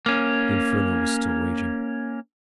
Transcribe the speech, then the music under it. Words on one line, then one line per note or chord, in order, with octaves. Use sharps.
The inferno was still raging.
A#3 C#4